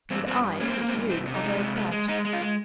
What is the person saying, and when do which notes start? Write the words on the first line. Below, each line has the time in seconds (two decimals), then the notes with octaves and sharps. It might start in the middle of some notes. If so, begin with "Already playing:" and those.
"And I think you are very crabbed."
0.10 G2 C4
0.27 G2 C4
0.43 G2
0.60 A#3 C#4
0.70 C4
0.77 A#3
0.88 C4
0.93 G2
1.10 C3 C4
1.27 C3
1.34 D#4
1.43 G#3
1.59 C3
1.76 G#3
1.91 G#3
2.08 G#3 D#4
2.25 G#3
2.33 F4
2.41 G#3